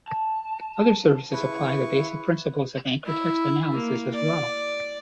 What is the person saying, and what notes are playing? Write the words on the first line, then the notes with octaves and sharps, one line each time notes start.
Other services apply the basic principles of anchor text analysis as well.
A5
C#3 E4 B4 C#6
E4
A#3
D5